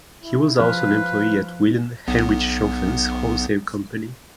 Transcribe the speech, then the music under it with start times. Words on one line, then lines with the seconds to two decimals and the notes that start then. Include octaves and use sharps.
He was also an employee at William Hainrichshofen's wholesale company.
0.24 E4
0.57 F3 B4 F5 F6
2.08 B1 B3